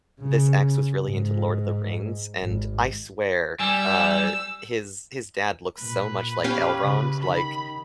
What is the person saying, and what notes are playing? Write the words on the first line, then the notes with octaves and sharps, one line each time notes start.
this ex was really into Lord of the Rings, and I swear, uh, his his dad looks so much like Elrond. Like,
C#3
G#2
G#1
G3 G#5 E6
A#2 B4
C#4 G4 F5
C#3
D#3 B5